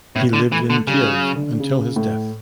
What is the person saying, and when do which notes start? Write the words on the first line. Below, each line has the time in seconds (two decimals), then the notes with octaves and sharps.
He lived in Kyiv until his death.
0.16 A2 B3
0.33 D3
0.51 E3 A3
0.70 D3
0.87 C#3 G3
1.11 F#3
1.35 D3
1.60 C#3
1.96 A2